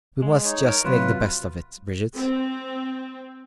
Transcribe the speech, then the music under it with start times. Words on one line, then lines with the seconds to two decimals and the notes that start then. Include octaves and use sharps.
We must just make the best of it, Bridget.
0.22 G#3
0.44 D#4 C#5
0.66 A#4
0.84 C3 F#3 F4 B4
2.14 C4